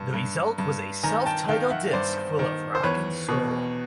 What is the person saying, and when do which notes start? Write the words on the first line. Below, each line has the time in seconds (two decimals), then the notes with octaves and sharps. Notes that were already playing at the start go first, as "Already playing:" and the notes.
The result was a self-titled disk full of rock and soul.
Already playing: G2
0.14 G2
0.58 G2
1.03 D#3 G#5 A#5
1.26 G5 A5
1.48 D#3 F5 G5
1.70 E5 F#5
1.93 G2 C5 D5
2.39 D#3
2.75 C5
2.83 E2 B4 C#5
3.29 B2